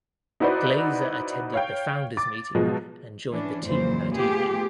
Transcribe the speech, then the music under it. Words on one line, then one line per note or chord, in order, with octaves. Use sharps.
Glaser attended the founders meeting and joined the team that evening.
D#4 E4 F#4 B4 C5 D5
C#5 F5 G5
D6 A6
B2 F3 F#3 G#3
E3 C#4 D4
F2 A#2 C#3 E3 F#3 C5
A3 B3 F4 G4 G#4